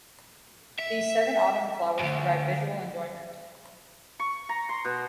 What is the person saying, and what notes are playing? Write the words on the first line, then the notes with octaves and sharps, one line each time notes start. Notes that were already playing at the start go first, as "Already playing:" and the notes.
These seven autumn flowers provide visual enjoyment.
E5
D2 G2
C#6
A#5
C6
B2